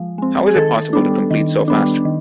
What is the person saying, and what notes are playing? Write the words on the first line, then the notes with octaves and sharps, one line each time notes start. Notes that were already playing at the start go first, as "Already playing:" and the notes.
How is it possible to complete so fast?
Already playing: F3 G#3
G#3 C4
G#4
D#3 A4
G3 B3 D4
D#3
G3 B3 D4
D#3